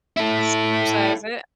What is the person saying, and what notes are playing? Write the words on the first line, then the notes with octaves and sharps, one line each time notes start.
Supersize it.
E4 A4